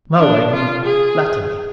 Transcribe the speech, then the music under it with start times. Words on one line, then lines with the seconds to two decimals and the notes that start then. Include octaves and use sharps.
"Moa, you flatter me."
0.19 D4
0.52 F4
0.85 G#4